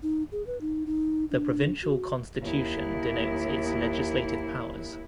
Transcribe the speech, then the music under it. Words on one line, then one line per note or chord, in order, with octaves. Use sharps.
The Provincial Constitution denotes its legislative powers.
D#4
G#4
B4
D#4
D#4
D4
F#4
D#2 E4